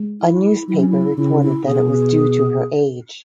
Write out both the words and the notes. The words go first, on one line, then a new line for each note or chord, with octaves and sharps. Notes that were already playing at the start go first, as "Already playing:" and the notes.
A newspaper reported that it was due to her age.
Already playing: G#3
E4
F#3 E4
C#4
E4
C#3 E4
E4
B2 G#4